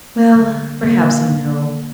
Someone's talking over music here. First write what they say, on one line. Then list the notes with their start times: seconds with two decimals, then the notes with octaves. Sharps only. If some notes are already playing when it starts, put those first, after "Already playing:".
Well, perhaps I know.
0.35 D3 G3 A#3
0.83 D3 A#3
1.32 D3 A#3